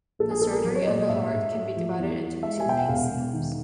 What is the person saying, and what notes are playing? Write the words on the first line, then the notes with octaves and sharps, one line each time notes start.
The surgery on the heart can be divided into two main steps.
A#1 A4
G#4
B3 A4
A#4
F#3
C#5
D#5
A#2 D5
D#5
G#2 E5
G#2
A3
F3
E2
E2
G#3 E5
G#5
B2 G5
F#5
E1 F5
E1
D#3